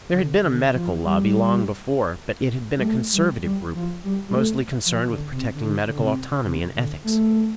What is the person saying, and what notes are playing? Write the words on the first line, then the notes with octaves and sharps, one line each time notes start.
There had been a medical lobby long before, but it had been a conservative group, mostly concerned with protecting medical autonomy and ethics.
D3
D3
F3
G3
G3
A3
G3
G3
F3
G3
G3
A3
F3
D3
C3
D3
D3
C3
C3
D3
A3